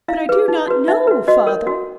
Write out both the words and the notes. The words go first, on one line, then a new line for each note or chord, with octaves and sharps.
"But I do not know, Father!"
E4 F5
G#4 B4
D#4
F#4 B4
D#4 E5
F#4 B4
F#4 D#5
A#4 C#5
F#4